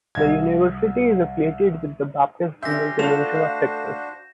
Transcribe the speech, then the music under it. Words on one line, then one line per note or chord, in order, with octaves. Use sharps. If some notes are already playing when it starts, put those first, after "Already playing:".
The university is affiliated with the Baptist General Convention of Texas.
C2 G#6
D3 C#4 G4 E5 C6 G6 A#6
A3 D4 F4 F#4 A4 C5 E7 F7
F5